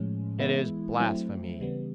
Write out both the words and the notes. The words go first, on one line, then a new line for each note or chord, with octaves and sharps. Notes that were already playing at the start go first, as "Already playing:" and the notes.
"It is blasphemy!"
Already playing: A2 F3 G#3 C#4
E3 G#3 B3 E4
F#3 A3 C4 E4
C#3 E3 G3 B3